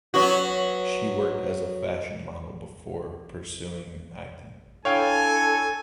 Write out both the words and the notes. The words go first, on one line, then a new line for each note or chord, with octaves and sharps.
She worked as a fashion model before pursuing acting.
F#3 B3 F#4
D4 E4 A4 C#5 F5 G5 G#5